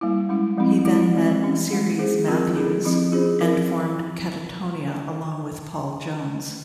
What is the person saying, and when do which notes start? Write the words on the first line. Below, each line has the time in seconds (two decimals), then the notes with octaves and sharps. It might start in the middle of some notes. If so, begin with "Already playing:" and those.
He then met Cerys Matthews and formed Catatonia along with Paul Jones.
0.01 G3 A#3 E4
0.29 G#3 C#4 E4
0.58 F3 G#3 C4 E4
0.85 E3 G#3 E4
1.14 E3 G#3 C4
1.42 G3 C#4 G4
1.70 G#3 C#4 F4
1.99 G#3 E4 G#4 C5
2.27 F3 C4 F4 A#4
2.56 C#4 E4 G#4
2.84 F3 C4 E4 G4
3.12 C#4 F4 G#4 C5
3.41 F3 C4 E4 A#4